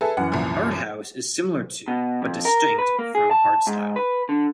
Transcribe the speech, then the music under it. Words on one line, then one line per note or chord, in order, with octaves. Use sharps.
Hard house is similar to, but distinct from hardstyle.
G#4 A4 B4 E5 A5
F#2 E3 F#5
C2 A#2 F3
B2
F2
A#4
B4
A#3
G#4
A5
G#2
B4
D3